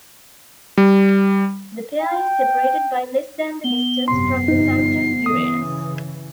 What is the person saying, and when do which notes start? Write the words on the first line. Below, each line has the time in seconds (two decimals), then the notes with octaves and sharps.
The pair is separated by less than the distance from the Sun to Uranus.
0.78 G3
2.02 G5
3.64 B3 G7
4.08 G#1 F#2 C3 C6 C7
4.48 G1 C3 F3 D#4
5.26 C#3 E3 D#6